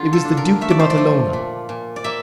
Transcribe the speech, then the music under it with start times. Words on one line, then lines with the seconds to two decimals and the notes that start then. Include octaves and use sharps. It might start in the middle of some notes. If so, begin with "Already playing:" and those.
It was the Duke de Matalona.
Already playing: D3 F4
0.13 A4
0.25 D4
0.37 A#4
0.61 A3 E5
0.70 D5
0.79 C5
0.90 D5
0.97 F3
1.33 A#2
1.69 A#2
1.96 D5
2.04 A#3 E5